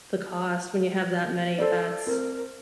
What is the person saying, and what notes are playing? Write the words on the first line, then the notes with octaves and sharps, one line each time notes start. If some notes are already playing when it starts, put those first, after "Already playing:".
the cost when you have that many pets.
A4 C5 D5
C4 A#4